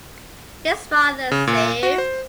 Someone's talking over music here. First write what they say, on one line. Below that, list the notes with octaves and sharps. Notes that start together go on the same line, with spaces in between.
Is father safe?
C#3
A#2
F#4
C5